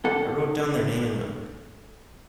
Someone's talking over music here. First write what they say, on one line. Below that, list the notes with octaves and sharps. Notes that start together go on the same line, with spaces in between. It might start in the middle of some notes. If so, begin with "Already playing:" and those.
I wrote down their name and number.
A4 F#5